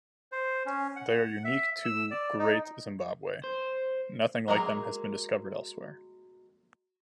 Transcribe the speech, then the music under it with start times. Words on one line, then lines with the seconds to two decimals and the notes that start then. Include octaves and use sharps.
They are unique to Great Zimbabwe; nothing like them has been discovered elsewhere.
0.32 C5
0.66 C#4
0.96 F#5
1.44 E5
1.85 E6
2.11 D5
2.39 D#4
3.44 C5
4.48 F#3 G#3 A#3 A#5